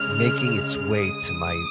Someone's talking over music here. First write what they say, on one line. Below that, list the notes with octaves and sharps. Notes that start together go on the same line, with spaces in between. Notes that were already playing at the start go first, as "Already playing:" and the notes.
making its way to my
Already playing: C#3 G#3 F6
D#6